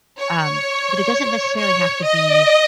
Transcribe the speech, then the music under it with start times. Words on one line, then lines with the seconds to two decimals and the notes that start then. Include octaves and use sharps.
um, but, it doesn't necessarily have to be,
0.18 C#5
1.58 C#5
2.04 D#5